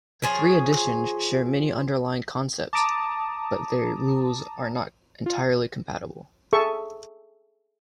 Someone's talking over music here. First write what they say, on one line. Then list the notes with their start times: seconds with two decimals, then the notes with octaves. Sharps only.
The three editions share many underlying concepts, but their rules are not entirely compatible.
0.22 F3 G#4 C#5
2.73 A5 A#5 D6 D#6 D7
5.26 F4
6.53 G#4 A4 E5 C#6